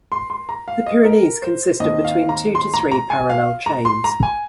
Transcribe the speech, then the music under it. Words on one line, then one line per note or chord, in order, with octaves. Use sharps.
The Pyrenees consist of between two to three parallel chains.
C6
C6
A#5
F5
D#5
A#4
C5
D#2 D#3 C4 D#5
F5
A#5
C6
A#5
A#5
G#5
F5
A#5
C6
A#5
G#5